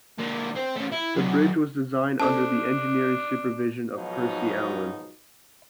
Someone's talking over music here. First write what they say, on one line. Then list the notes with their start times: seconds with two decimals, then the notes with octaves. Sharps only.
The bridge was designed under the engineering supervision of Percy Allan.
0.19 D3 A#3
0.56 C4 C5
0.76 A3 C#4
0.92 E4
1.17 D3 F#3
2.20 C#4 D4 A4 C5 A5
3.96 G#2 B2 F3 F#3 D#4